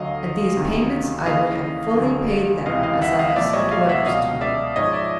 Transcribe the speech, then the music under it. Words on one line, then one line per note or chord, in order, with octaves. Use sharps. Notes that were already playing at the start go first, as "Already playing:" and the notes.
And these payments I would have fully paid them, as I have sent orders to you.
Already playing: D2 D3 F#3 D#5 F5
D2 C3 D#3 F#3
D#2 C#3 E3 D#5 F5
D2 D3 F#3
C#2 C3 E3 D#5 F5
D#5 F5
E5 F#5
D#5 F5
C2 A#2 F3 D5 E5
C#5 D#5
D#5 F5
E5 F#5
C#2 B2 F#3 D#5 F5
D5 E5
G#2 F3 C#5 D#5
D5 E5